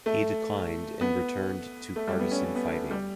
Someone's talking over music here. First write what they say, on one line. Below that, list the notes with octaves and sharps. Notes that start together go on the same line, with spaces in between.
He declined and returned to partisan fighting.
A3
B3
A3
G3
B3
C#4
C#4
B3
A3
G3